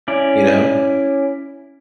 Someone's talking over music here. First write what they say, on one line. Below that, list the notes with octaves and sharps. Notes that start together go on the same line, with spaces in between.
you know,
C#4 E4 D5